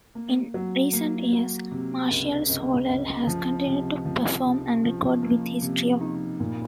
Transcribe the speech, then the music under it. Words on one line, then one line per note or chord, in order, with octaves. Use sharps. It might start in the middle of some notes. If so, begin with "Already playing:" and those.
In recent years, Martial Solal has continued to perform and record with his trio.
A#3
F#3
A#3
F#3
C3
C#2
C#2
C#2
F3
C3
F3
C3
F3
A#3
C3
D#4
A#2